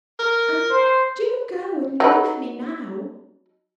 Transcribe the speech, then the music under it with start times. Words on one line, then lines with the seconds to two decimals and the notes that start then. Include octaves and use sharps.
"And do go and leave me now!"
0.19 A#4
0.70 C5
2.00 F#3 D#4 B4